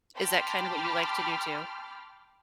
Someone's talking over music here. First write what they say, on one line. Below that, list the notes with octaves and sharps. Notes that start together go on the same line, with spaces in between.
Is that kind of what you like to do too?
G5 A5 B5 C6 D6 F6